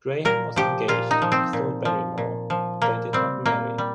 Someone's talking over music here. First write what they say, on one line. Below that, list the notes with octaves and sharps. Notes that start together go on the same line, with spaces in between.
Graham was engaged to Ethel Barrymore, but they did not marry.
A#2 A#4
F3 G4
A#2 F4
D#4
F3
C4
A#2
F3
A#2
F3
A#2 A#3
G3 C4
A#2 A#3
G3